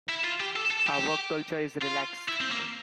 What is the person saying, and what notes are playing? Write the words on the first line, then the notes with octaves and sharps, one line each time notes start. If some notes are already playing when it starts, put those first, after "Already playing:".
Our work culture is relaxed.
E4
F4
G4
A4
A4
G4
F4
E4
C4
A#3